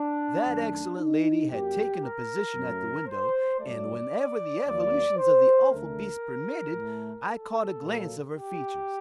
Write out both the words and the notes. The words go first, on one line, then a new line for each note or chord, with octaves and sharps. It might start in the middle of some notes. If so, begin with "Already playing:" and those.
That excellent lady had taken a position at the window, and, whenever the evolutions of the awful beast permitted, I caught a glance of her features.
Already playing: D4
F#2 D#3 A3
D#4
F#2 F#3 A#3 G4
A#4
F#2 F#3 A3
C5
G2 F#3 A3 D5
D#2 D#3 F#3 A#3 D5
C5
D2 D3 A3 A#4
A2 A3
A4
A#2 F#3 A#3
G4